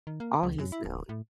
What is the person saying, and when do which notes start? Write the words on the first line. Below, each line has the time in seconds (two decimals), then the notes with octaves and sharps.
all he's known,
0.07 D#3
0.20 A#3
0.43 C#2
0.58 F#2
0.72 E4
0.85 D1
1.09 A2